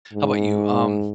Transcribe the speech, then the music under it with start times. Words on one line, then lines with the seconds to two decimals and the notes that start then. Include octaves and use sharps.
how 'bout you, um,
0.14 G#2